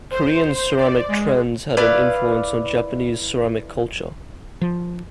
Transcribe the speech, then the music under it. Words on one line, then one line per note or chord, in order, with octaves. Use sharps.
Korean ceramic trends had an influence on Japanese ceramic culture.
C5
D5
G#3
E4 B4 D5 F5
F3